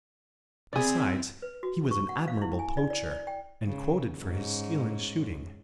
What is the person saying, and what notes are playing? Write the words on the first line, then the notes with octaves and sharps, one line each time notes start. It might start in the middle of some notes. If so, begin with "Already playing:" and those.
Besides, he was an admirable poacher, and quoted for his skill in shooting.
C4 E4 G#4 D5
B4
F#4
C#6
F#5
F5
E4
G#5
D5
D5
D5
G5
C#3
G#2 C#4